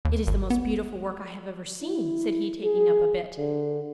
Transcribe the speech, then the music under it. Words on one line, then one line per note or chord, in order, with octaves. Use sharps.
'It is the most beautiful work I have ever seen,' said he, taking up a bit.
D#2
G#1
B3
E4
G#4
D3